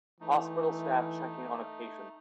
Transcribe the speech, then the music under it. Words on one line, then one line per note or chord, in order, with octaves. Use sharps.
Hospital staff checking on a patient.
E3 A3 D#4